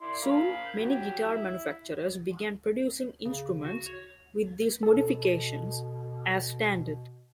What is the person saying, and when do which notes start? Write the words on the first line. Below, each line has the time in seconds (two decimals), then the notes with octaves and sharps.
Soon, many guitar manufacturers began producing instruments with these modifications as standard.
0.01 E4 D5 C6
0.23 A#4 F5 B5
0.78 F#3 G4
1.24 E4 E5
3.25 C#3
3.65 F#4
3.86 C#5
4.83 B2 A4